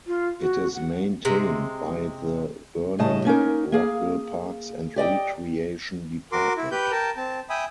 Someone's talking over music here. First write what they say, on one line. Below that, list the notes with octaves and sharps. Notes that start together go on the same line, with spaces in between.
It is maintained by the Vernon-Rockville Parks and Recreation Department.
F4
F#4
F#5
C3 G#3
A2 C#3 D#5 A5
A#3 C#4 D#4 A#4
A#3 G#4 F5
G4 D5 D#5 G5
F#4 A#4 C6 D6
E4
G4 B4 B5 G6
A#4 G5 A5
C4 A5
E5 G5 G#5 B5 D#6